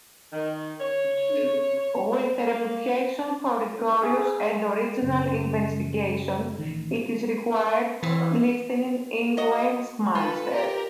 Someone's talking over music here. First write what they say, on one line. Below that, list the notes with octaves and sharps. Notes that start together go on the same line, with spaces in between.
With a reputation for rigorous and original investigation, it is required listening in Westminster.
D#3
C#5
A#3
G#4
F#1 C#3
A1 D#3
E3
F#4 D#5
F4 A4 B4
G4 A#4